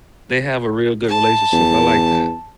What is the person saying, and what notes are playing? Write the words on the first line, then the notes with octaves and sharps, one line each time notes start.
they have a real good relationship. I like that.
A5
E2